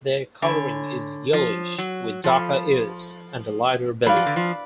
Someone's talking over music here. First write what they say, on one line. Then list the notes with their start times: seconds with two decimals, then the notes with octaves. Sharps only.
Their coloring is yellowish, with darker ears and a lighter belly.
0.42 D3 C#5 G#5 B5
1.33 F3
1.78 F#3
2.24 F3 A4 F5 B5
4.06 F#3 B4 D5 F5
4.16 F3
4.26 D3
4.36 F3